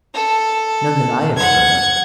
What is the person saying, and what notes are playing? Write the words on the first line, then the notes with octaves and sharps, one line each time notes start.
"None, that I ever heard of."
A4
F#5 G#6